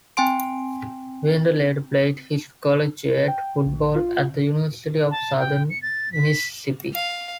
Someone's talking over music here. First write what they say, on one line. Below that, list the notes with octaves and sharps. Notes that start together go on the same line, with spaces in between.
Winder later played his collegiate football at The University of Southern Mississippi.
C4 G5 G#5 C6 D7
G5
A#1
F4
A5
G5
C#7
A6
B6
F5